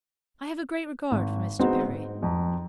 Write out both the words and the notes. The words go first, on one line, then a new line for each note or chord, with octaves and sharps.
I have a great regard for Mr. Perry.
G#1
G#3 B3 C4 D#4 F#4
G#2
F2 A#5